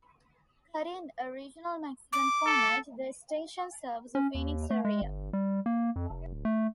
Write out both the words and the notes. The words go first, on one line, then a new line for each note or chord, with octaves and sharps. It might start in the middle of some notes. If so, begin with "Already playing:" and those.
Carrying a Regional Mexican format, the station serves the Phoenix area.
D6
A4
C#4
D#2
A3
G#3
G1
G3
A#3
F2
F1
D1
A3